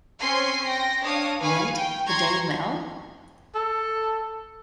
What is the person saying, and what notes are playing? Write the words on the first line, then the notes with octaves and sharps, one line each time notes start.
Went the Day Well?
C4 C#4 G#5 C6 C7
G5 A#6
D4 C#5 F5 D#6
B4 F5 G#5 C#6
G5
A#5 C6 C#6 G#6
A4